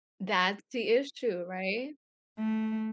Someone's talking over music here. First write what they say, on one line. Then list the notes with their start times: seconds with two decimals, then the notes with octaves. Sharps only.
That's the issue, right?
2.39 A3